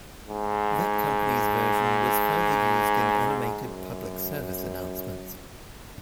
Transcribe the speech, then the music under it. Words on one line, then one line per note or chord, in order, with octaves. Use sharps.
That company's version was further used in animated public service announcements.
G#2
F#2